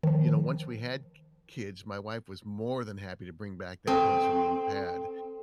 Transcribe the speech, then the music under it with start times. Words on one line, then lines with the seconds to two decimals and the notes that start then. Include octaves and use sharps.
you know, once we had k kids, my wife was more than happy to bring back that pencil and pad
0.03 D#3 F3
3.87 C4 A4